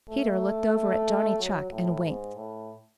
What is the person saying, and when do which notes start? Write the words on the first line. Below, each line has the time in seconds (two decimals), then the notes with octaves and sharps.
Peter looked over at Johnny Chuck and winked.
0.09 A3
1.39 F#3
1.71 A2
2.03 G#2
2.36 A2